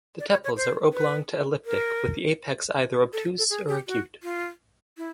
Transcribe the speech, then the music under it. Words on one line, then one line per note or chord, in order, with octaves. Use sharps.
The tepals are oblong to elliptic with the apex either obtuse or acute.
D5
C#5
C#5
C5
B4
A#4
A4
A4
G#4
G4
F#4
F4
E4